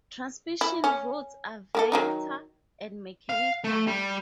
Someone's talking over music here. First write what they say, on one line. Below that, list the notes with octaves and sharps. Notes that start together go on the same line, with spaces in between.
Transmission routes are vector and mechanical.
E4
C#4
A#3 G4 A4
D#3 F#3 D#4
F5
A3
G3